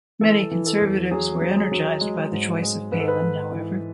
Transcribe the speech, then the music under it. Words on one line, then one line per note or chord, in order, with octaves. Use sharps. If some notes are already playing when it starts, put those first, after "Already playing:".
Many conservatives were energized by the choice of Palin, however.
E3 A4
E3
A4
E2
F#3 G#4
F#3
G#4
F#3
G#3
G#2
G#3
G#2 B4
A4
B4
G#2
E3